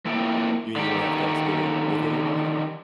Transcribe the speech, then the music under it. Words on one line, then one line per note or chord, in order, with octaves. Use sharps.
You mean you didn't have Thanksgiving with anybody?
F2 A#3 E4 G5
D3 D#3 G4